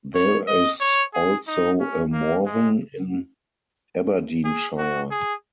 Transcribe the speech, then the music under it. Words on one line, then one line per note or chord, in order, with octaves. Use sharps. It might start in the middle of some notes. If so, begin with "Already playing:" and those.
There is also a Morven in Aberdeenshire.
C#5
D#5
C#5
G#4
D#4
C#4
A#3
G#3
G#4
F#4
G#4